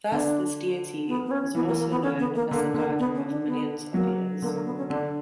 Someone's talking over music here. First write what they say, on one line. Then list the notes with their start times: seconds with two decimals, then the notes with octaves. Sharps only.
Thus this deity is also known as the "god of millions of years".
0.12 D3 D4
1.08 B3
1.26 B3
1.31 C#4
1.55 E3 B3
1.67 A#3
1.79 A#3
1.91 B3
2.03 C#4
2.19 B3
2.35 A#3
2.51 D3 A#3
2.74 D3 A#3
2.99 B3
3.15 C#4
3.30 D4
3.46 B3
3.94 F#3 A#3
4.42 D3 A#3
4.54 A#3
4.66 B3
4.78 C#4
4.90 D3 D4